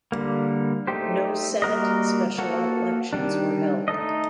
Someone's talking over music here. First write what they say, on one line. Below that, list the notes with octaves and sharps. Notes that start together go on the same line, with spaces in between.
No Senate special elections were held.
D3 G3 A#3
A3 D#4 G4 C5
G3 A#3 F#4 A#4 D#5
A#3 F#4 A4
D#3 G3 D4
A3 D#4 A4 D#5